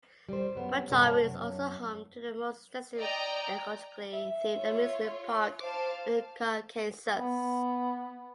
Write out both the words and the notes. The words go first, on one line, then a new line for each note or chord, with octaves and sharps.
Borjomi is also home to the most extensive ecologically-themed amusement park in the Caucasus.
G3 C5
F#2 B3
G2 C3 B3 A4 C#5 A5
F#2
D5 D#5 G5 A#5
E5
F4 C#5
C5 F5 A5 D6
B3